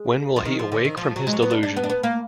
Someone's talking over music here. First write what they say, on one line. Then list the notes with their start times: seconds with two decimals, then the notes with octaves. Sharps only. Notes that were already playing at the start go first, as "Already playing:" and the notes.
When will he awake from his delusion!
Already playing: G#3
0.36 F3
0.45 D#3
0.59 F3
0.72 D3
0.85 D#3
0.97 F3
1.16 F#3
1.27 G#3
1.33 F#3
1.42 B3
1.51 D4
1.63 D4
1.76 B3
1.83 D4
1.90 B3
2.03 A#3